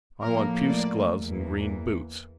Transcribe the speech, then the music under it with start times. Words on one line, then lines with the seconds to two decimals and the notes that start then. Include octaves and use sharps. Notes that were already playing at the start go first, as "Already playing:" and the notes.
I want puce gloves and green boots.
0.22 A2 F3 A#3 A#4
0.69 D5
1.17 E2 E3 A#3